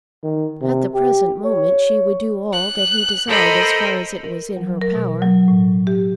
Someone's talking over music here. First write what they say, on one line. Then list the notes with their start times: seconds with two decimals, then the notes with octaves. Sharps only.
At the present moment she would do all that he desired as far as it was in her power.
0.24 D#3
0.62 C3
0.94 G4
1.45 C#5
2.52 F#6
3.27 A4 A#4 C5 D#5 B5
4.24 A#4
4.57 F#3
4.82 A#4
4.95 B2
5.22 F#3
5.48 A2
5.87 G4